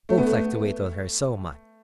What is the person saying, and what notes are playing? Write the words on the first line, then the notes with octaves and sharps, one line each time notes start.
Both liked to wait on her so much.
A3
B3
A3